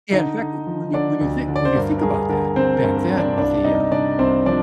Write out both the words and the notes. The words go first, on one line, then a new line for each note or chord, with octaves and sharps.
Yeah, in fact, w when you when you think when you think about that back then with the, um,
D3 D#4 D#5
D3
F3
D3 D4 D5
D2
D3
D5
C5
G2 A#4
A#4
G2 G#4
D3 A#4
D3 C4 C5
A#4
G2
A#4
G2
D4 D5
C2 D4 D5
C2 D#4 D#5
C3 D4 D5
C2 C4 C5
F3 D4 D5